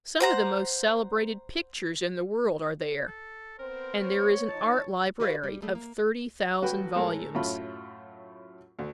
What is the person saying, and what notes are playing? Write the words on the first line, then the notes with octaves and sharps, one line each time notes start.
Some of the most celebrated pictures in the world are there, and there is an art library of thirty thousand volumes.
C5 F#5 A#5
A4
B3 C4 A#4 C5
C#5
F3 D#4 A5
F#4 G4 B4 D#5 F5
G3
G3 A3 G#4
A#3
A1 F#4 B4 G5
A2 G#3 A4 A#4
F#2 A2 A3 F4 B5
D2